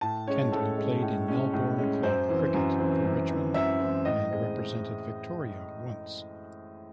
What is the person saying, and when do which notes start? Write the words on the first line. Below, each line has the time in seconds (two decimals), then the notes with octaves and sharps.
Kendall played in Melbourne club cricket for Richmond, and represented Victoria once.
0.01 A2 A5
0.27 G#3 C#4 C#5
0.52 A2 A4
0.77 G#3 C#4
1.02 A2
1.28 G#3 C#4
1.53 A2
1.78 G#3 C#4
2.03 F#2 C5
2.29 E3 C4
2.54 F#2
2.79 E3 C4
3.05 F#2
3.29 E3 C4
3.54 F#2 E5
3.80 E3 C4
4.05 A2 D#5
4.30 G#3 C4